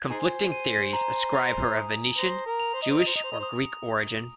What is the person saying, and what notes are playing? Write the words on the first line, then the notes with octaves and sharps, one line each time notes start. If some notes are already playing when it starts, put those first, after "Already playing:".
Conflicting theories ascribe her a Venetian, Jewish or Greek origin.
Already playing: G#6
D#4 G#4 C5 G#5
D#7
A#5
F7
D#6
C5 A#6
A#4
F7
C5
D#5
C5
D#5
C5 F7
D#5
C5
D#5
C5
D#6